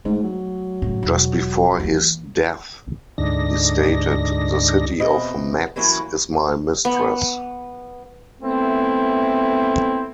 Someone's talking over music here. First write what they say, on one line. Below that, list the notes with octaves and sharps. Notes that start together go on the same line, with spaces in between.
Just before his death, he stated: The city of Metz is my mistress.
G#2 A3
F#3
A2 C#3
E1
E3 A#3
D2 G#2 D3 D4 D#4 A#6
E2 B2 C4 D#5 E5
E3 F#3 A#3 C#4 E4 F#4
B3
A3 B3 C4 E4